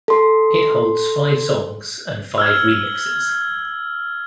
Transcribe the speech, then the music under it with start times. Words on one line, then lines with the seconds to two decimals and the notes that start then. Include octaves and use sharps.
It holds five songs and five remixes.
0.08 A4 C6
2.38 E6 F6 G#6